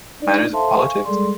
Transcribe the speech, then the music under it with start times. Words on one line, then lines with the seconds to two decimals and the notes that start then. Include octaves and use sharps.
Matters of politics?
0.20 D4 D#4 D5
0.53 A4 C5 E5 F5 A5 C6
0.78 F5 G#5 C#6
1.05 G3 G#3 G#4 A4 D5 C6